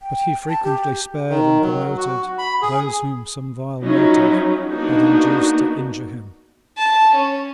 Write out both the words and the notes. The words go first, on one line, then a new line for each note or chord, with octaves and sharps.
But he frequently spared and promoted those whom some vile motive had induced to injure him.
G5
A5
G4
D#3
F#3
F#4
B5
G#4
F3 F#3 C#4 D#4 E4
A#3 B3 D4 D#4 F#4
A5
C#4